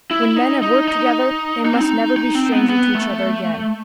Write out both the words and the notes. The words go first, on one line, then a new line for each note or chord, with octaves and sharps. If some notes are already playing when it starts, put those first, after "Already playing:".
When men have worked together, they must never be stranger to each other again.
E4
D#4
D#4
D#4
D#4
C4
D#4
D#4
C4
B3
B3
A3